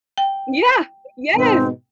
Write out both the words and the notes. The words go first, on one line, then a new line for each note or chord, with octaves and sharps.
Yeah. Yes.
G5
G#2 B2 D#3 C4